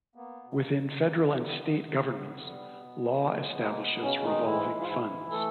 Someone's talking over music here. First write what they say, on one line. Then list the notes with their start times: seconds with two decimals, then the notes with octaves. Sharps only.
Within federal and state governments, law establishes revolving funds.
0.15 A#3 B3
0.44 B2
0.53 B3
0.59 A#3
0.73 B2
1.01 F2 A#3
1.30 G3
1.44 B3
1.59 C3
1.87 D#3
2.16 F2
2.45 G3
2.73 B2
3.02 G#3
3.31 G#3
3.59 B2 A#3
3.80 B3
3.88 B2
4.02 C#3 C#4
4.17 G#3
4.24 D#3 D#4
4.45 G#2 E3 E4
4.75 G#2
4.81 F4
4.89 E3 E4
5.03 E3
5.31 A3 A4